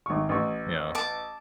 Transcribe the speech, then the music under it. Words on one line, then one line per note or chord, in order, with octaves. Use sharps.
you know
G#1 C#6
A1 C#6
A5 D6